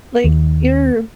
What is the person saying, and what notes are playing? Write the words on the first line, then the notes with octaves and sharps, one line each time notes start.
like, you're
D#2